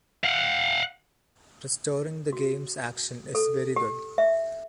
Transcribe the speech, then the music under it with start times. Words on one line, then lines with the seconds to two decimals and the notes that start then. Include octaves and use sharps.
Restoring the game’s action is very good.
0.24 F5 F#5
2.33 F#4
3.35 A4
3.76 G4
4.18 E5